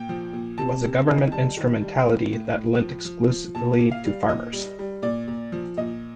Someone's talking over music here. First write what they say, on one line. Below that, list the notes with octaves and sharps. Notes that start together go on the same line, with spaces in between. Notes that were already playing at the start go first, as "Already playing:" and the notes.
It was a government instrumentality that lent exclusively to farmers.
Already playing: A#2 G5
F3
A#2
C3 A5
C3
D#3
G3 A5
D#3
G3
A2
A2
A2
F3
F3
F3
A#2 A5
A#2
F5
G3
A#2 D#5
G3
G3
A#2 D5
A#2
F3
A#2 D#5